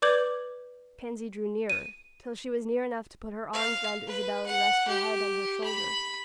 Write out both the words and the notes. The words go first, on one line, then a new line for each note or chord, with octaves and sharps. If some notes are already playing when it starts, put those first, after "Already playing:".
Pansy drew nearer, till she was near enough to put her arms round Isabel and rest her head on her shoulder.
B4 D5 D6 G6 G#6 F#7
D#7
F5
B4
F#5
G4
B5